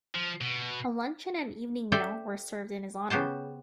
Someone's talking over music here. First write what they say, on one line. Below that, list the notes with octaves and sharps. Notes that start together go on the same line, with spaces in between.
A luncheon and evening meal were served in his honor.
F3
B2
G4 A4 C5 D5 E5 G5
C#3 B3 G4 C5 A5